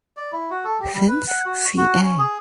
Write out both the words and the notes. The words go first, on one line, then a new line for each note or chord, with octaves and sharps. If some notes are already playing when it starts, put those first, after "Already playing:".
Since ca.
D5
E4
F#4
A4
G4
G3
B4
F#5
F#4
F#4
C#4
G#4